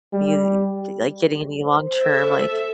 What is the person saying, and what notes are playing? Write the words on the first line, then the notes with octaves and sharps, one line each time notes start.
be, like, getting any long term, like,
G3
C5
A4 E5